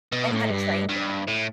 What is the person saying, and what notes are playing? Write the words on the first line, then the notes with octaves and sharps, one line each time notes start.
And how to train them.
B2
A2
G2
G2
A2